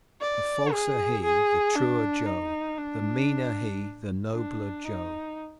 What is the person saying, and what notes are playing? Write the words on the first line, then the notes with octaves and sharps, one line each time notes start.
The falser he, the truer Joe; the meaner he, the nobler Joe.
D5
G#4
G#4
D4
D#4
D4
D4
D#4